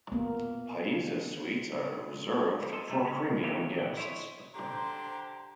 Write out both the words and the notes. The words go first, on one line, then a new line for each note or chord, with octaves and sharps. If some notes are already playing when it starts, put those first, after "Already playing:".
Paiza suites are reserved for premium guests.
A#3 B3
A4 C5 D#5
C3 G3 A3
C#3 C#4
D#3 E3 A3 A#3 G4 B4
A#1 F#5 G5
E4 C5 C#5 D#5
D3 G4 C5 A#5